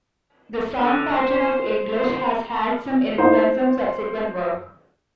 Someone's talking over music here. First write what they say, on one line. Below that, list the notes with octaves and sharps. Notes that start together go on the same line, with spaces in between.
"The Sound Pattern of English" has had some influence on subsequent work.
D3
C5
C5
A#3 D#4 E4 C5